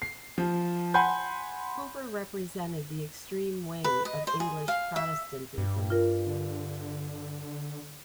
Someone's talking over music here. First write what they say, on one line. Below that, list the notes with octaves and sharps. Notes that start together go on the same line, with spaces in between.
Hooper represented the extreme wing of English Protestantism.
C7
F3
F#5 G#5 B5 C6 G6
B4
D#5
C5
G#4
F5
E5
G2
F4 A#4
D3